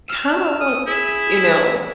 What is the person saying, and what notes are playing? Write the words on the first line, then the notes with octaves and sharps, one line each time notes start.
kinda wanna s you know,
E6 F6
D#6
E4 G#4